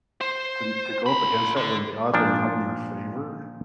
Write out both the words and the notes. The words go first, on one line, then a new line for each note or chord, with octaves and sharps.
to to go up against that when the odds are not in your favor,
C5
F4 B5
D3
A#2 F3 D4